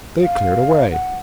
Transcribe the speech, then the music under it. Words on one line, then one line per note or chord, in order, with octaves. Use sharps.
They cleared away.
F5
F#5